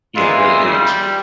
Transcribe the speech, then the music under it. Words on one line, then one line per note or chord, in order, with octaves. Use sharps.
Yeah, it really is.
A#2 E3 G#3 E4 F4
G3